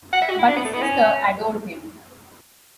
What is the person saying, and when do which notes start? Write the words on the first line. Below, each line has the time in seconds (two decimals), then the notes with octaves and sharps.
But his sister adored him.
0.13 F#5
0.22 E5
0.30 F#4
0.39 E4
0.48 D4
0.57 B3
0.65 A3
0.74 B3
0.82 C#4